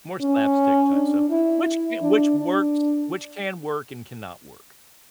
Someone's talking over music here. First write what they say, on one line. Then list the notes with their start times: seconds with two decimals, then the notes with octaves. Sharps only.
more slapstick type stuff, which ca which works which can work and cannot work.
0.20 C#4
0.93 D4
1.30 E4
2.02 D4
2.39 D4